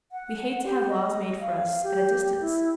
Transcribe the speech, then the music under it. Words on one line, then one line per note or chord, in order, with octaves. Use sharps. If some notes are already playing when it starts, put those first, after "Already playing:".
We hate to have laws made for us at a distance.
F#5
G4
D#5
F5
G4
E4